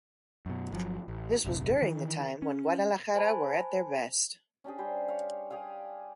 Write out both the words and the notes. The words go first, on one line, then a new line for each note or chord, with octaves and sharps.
This was during the time when Guadalajara were at their best.
F#2 B2
G1 F3 F#3
A1
D#1 G#1 F#2 C3
D#3 E3
C#4
C5 G#5 A5 B5
C#4 D4 G4 G#4
G3 G4 G#4 C5
C#5 F5
G4 G#4 D5 F5